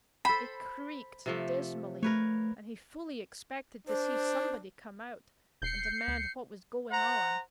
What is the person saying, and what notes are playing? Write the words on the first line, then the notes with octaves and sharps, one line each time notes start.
They creaked dismally, and he fully expected to see somebody come out and demand what was going on.
A4 C5 B5
C3 F3 A3
A3 A#4 B4 C#5
D4 C5
E1 G6 C7 C#7
D2
C5 F#5 A#5